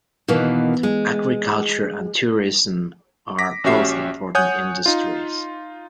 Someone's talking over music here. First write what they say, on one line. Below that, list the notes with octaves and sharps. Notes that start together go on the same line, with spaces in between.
Agriculture and tourism are both important industries.
B2 D#3 E3 A#3
G#3
D6 A#6 B6
A#1 C#4 F#4 G4 E5 C7
C#5 F#5 G#5 D#6 F#6 G6
D#4 F4